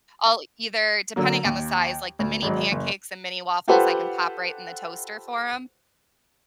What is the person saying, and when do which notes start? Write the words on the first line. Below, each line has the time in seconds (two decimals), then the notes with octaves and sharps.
I'll either depending on the size, like, the mini pancakes and mini waffles, I can pop right in the toaster for 'em,
1.16 D3 F#3 A#3
1.45 D#2
2.19 D2
2.42 G#1 G#2 F#3
2.72 F#1
3.68 F4 G4 A4 B4 C5 F#5